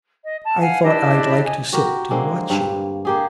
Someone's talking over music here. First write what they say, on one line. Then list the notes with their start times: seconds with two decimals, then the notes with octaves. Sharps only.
I thought I'd like to sit and watch you.
0.24 D#5
0.45 A5
0.61 F5 F#5 G#5
0.83 D4 E4 G4 D#5
1.44 D#5 G#5
1.73 F#4 G4 A#4
2.11 D3 G#3 A#3 C4
2.50 G2
3.05 A#3 G4 G#4